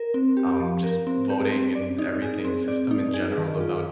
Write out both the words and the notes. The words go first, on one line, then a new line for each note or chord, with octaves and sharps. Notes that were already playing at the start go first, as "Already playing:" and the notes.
um, just voting and everything system in general about
Already playing: A#4
C4
G4
F3
A#4
C4
G4
C4
D5
D#4
G#4
C4
D5
D#4
G#4
D#3
F4